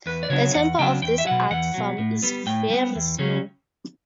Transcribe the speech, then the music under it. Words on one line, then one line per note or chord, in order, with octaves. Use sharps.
The tempo of this art form is very slow.
E2 B4
D5
C#3 F#3 B3 D4 C#5
E2 F#5
C#3 F#3 B3 D4 G5
E2 G5
E5
B2 F#3 F#5
E2 F#5
B2 F#3
A2
G3 B3
A2 G5
G3 B3
E2
C#3 F#3 C#4